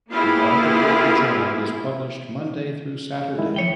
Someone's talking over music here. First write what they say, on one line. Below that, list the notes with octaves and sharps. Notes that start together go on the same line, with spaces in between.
The "Albuquerque Journal" is published Monday through Saturday.
A#3 B3 E4 F4 G4 G#4
D#3 G#3 E4
F3 C#5 G5